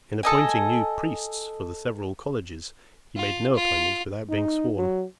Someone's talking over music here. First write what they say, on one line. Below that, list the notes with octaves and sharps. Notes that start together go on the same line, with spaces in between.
In appointing new priests for the several colleges, he made no appointments without being sworn.
A4 D#5 G#5
F4
F4
D#4
F#3